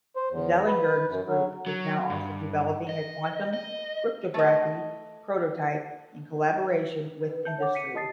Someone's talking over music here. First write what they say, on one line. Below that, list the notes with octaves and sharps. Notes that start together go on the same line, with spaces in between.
Zeilinger's group is now also developing a quantum cryptography prototype in collaboration with industry.
C5
E2
B4
F#2
F#3
F#3
G2
D#5
D#5
A3 D#5
B4
E5 A5 G6
C#5 F#5 D6
B6 C#7 D#7
G4 D#5 A5 D#6 A6 C7